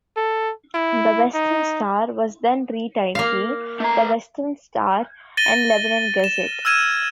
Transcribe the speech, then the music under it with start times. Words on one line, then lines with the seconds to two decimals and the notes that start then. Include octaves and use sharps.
"The Western Star" was then retitled "The Western Star and Lebanon Gazette".
0.17 A4
0.74 E4
1.34 D#4
3.15 A#3 F5
3.80 A3 A#5
5.37 A6 A#6 D#7 G7
6.20 A6 E7
6.65 E6 F6 G#6 D#7 E7